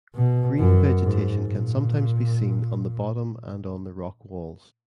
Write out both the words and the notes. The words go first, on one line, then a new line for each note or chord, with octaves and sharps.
Green vegetation can sometimes be seen on the bottom and on the rock walls.
B2
F#2
G#2
A#2